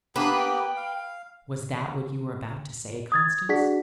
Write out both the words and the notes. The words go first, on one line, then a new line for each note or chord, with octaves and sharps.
"Was that what you were about to say, Constance?"
A#3 B3 D4 G4 B4
G5
F5
D#6 G#6 A6
D4 F#4 G#4 B6